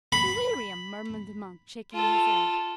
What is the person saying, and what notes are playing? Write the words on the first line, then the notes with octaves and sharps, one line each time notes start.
"Delirium!" murmured the monk, shaking his head.
B5
F4 A4